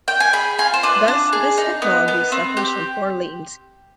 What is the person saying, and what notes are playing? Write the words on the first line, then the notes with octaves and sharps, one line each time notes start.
Thus, this technology suffers from poor latency.
G5
G#5
G#4 B5
F4 G#5
C5
D4 B4
D4
G#4
D#4
B3
B3
C4
G4